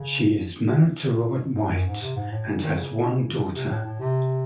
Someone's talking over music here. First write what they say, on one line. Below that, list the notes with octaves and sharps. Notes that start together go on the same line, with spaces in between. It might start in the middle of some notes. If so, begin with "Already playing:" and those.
She is married to Robert White and has one daughter.
Already playing: C#3
G#2
F#2
G#2
C3
G#2
A2
C#3
D#3
C#3
C#3
C3
A2
A2
C3